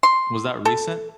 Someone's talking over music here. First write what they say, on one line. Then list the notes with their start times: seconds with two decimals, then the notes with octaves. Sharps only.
Was that recent?
0.03 C6
0.65 A4